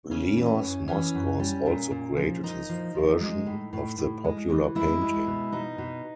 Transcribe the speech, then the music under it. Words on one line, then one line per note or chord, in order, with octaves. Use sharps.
Leos Moskos also created his version of the popular painting.
C#3 C#4
E3
F#2
E3 C#4
F#2
G3
A#2
A#2
F3
A#2 D#4
F3
F3
G#3
A2
A2
A2
G#3
E3
G#3 E4
G#3
B2
B2 D#4
B2